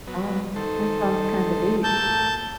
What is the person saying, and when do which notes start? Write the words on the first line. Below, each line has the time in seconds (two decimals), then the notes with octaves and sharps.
Oh, that sounds kinda deep.
0.07 F#3 B3
0.56 D#3 A4 C5
1.84 A2 A#3 A5 E6 G6